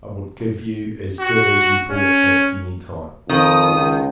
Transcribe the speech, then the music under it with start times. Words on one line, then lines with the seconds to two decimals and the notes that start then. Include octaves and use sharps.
I would give you as good as you brought, at any time.
1.20 F#4
1.91 C#4
3.29 F2 D#3 D#6
3.71 C#2